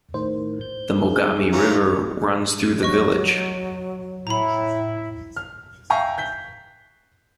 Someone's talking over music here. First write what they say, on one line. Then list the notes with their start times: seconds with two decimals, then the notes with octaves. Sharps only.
The Mogami River runs through the village.
0.14 A2 D#3 C5
0.61 G6
1.06 D#4 G#4
1.52 D#3 E3 C#4 F4 A#5
2.83 F#3 D#5 C#6
4.27 A2 E4 A#5 B5
5.36 F6
5.90 E5 F5 G5 G#5 A#5 C#6
6.18 G6 B6 G7